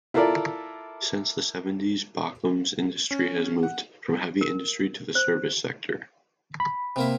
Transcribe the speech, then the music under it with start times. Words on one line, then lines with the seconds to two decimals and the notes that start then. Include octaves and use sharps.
Since the seventies, Bochum's industry has moved from heavy industry to the service sector.
0.14 E4 F4 A4 A#4 D5
3.11 C#4
3.63 F#5
4.41 A#4
5.15 C5
6.60 B5
6.96 C3 A#3 E5